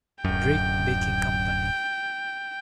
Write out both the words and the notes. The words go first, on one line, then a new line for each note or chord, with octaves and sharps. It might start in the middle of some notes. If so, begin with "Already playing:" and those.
Drake Baking Company.
D1 F#2 G5